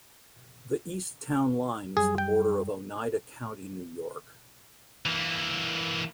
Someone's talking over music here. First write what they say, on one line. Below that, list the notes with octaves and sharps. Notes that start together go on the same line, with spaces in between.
The east town line is the border of Oneida County, New York.
F#2 G3 G#4
G5
E3 A#3